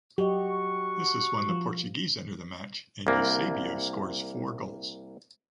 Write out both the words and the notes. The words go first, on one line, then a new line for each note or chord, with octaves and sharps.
This is when the Portuguese enter the match and Eusebio scores four goals.
F#3 F#4 G4 D#5 C#6
F3
C2 A#3